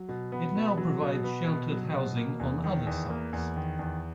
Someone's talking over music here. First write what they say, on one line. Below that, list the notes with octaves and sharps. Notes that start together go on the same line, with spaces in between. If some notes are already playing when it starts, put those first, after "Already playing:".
It now provides sheltered housing on other sites.
Already playing: F#3
B2
B3
B2
F#3
B2
B3
B2
F#3
B2
A#3
E2
D#3
E2
A#3
E2
D#3
E2